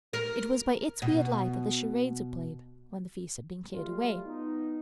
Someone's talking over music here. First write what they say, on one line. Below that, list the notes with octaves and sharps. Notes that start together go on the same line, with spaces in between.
It was by its weird light that the charades were played, when the feast had been cleared away.
A#4
B2
F#3 G3 A3 F4
B3 D#4